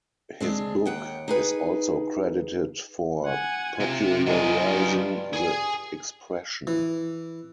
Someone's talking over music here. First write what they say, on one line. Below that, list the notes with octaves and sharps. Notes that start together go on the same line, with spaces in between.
His book is also credited for popularizing the expression.
D3 G#3 C4 D4
D#2 F#5 G5
D#4 G#4 B4
F#5 G#5
C3 F4
C2 G2 F#3 G#4 D#5
G2
G#4 G#5
E3